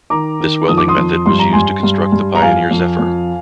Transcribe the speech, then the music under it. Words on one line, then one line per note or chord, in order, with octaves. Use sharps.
This welding method was used to construct the "Pioneer Zephyr".
D#3 A#5 D6
D#3
F2 D#6
D6
C6 D#6
F2
G2 C6
A#5
G2 G#5 C6
G2
G2
A#5
F2 F5 G#5
F2
F2